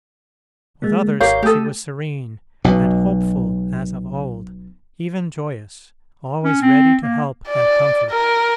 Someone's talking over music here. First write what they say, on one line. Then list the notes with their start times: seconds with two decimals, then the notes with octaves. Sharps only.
With others she was serene and hopeful as of old, even joyous, always ready to help and comfort.
0.82 G#3 A#3
1.20 G#1 G4 A#4 C#5 F5 G6
1.43 A3 G4 A4 D#6
2.64 B1 B2
6.44 C#4
6.62 C4
7.01 A#3
7.48 D5
8.11 A#4